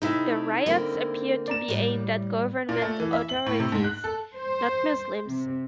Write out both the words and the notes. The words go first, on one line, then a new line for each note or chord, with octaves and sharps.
The riots appeared to be aimed at government authorities, not Muslims.
C3 D#4 E4 A4 E5
D3 A#3 C4
D5 A#5 E7
A2 G3
A#2
A3
E3
E5
F#7
A2
C3
G#2
F#6
A4
C5
C3